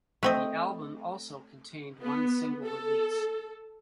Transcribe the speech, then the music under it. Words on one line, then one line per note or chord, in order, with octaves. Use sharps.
The album also contained one single release.
A3 C4 D#5
B3
A4